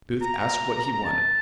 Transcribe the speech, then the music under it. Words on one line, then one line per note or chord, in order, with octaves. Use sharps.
Booth asked what he wanted!
A#5
A#5
A5